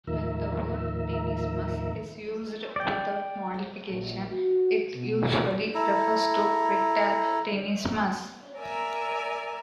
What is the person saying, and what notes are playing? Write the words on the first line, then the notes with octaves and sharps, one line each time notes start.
When the word tenesmus is used without modification, it usually refers to rectal tenesmus.
D#2 A2 D#3 F3 A#4 E5
D5 G5
A#1
F#4
B2
E4 A4 A#5
A#4 D5 E5 G#5 A#5